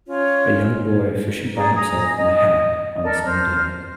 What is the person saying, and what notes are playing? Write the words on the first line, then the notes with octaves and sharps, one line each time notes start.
A young boy fishing by himself in a hat, on a sunny day.
C#4 F4 C#5
G#4 D5 A#5
G#5 A#5 D#6
D#5
A4 A#4 D5
C5 F6